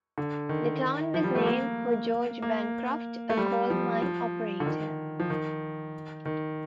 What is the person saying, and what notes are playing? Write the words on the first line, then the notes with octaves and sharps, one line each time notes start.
The town was named for George Bancroft, a coal mine operator.
D3
D#3
F3
G3
A3
A#3
A#3
A3
G3
F3
F3
D3
D#3
F3
D#3
D#3